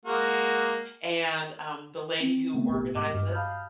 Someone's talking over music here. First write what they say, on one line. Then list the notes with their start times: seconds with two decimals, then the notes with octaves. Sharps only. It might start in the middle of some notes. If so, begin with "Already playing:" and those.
and, um, the lady who organized it
0.06 G#3 A#3 F#4
2.20 C4
2.54 C#3 A3 B3
2.69 A1 B2 G4
2.94 G#2 D#5 D6
3.13 G2 F#4 F6
3.32 F5 A5 B5 D#6 F6 G6